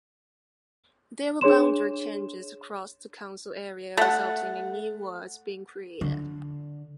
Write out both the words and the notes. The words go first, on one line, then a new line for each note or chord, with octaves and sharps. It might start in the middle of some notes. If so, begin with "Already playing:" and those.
There were boundary changes across the council area resulting in new wards being created.
D4 G#4 C#5 C6 E7
A3 F#5
D3